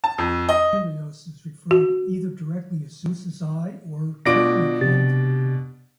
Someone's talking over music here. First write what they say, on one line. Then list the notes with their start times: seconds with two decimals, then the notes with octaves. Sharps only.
Helios is referred either directly as Zeus' eye, or clearly implied to be.
0.04 A5
0.18 F2
0.49 D#5
1.71 F#4
4.26 B2 D4 F4 D6 A#6 D7
4.81 C3 G4 A6